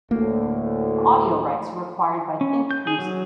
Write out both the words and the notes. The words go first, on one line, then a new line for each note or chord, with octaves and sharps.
The audio rights were acquired by Think Music.
D2 A2 A3 A#3
C#4
G6
G#4
F#3